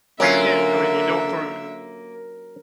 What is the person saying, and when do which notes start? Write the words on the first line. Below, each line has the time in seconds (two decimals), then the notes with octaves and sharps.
you can't, I mean, you don't throw you
0.20 D3 F#3 A#3 C#4 F4 E5